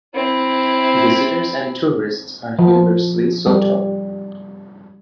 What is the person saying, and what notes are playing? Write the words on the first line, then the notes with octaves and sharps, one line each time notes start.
Visitors and tourists are universally "soto".
C4 E4
F3
G3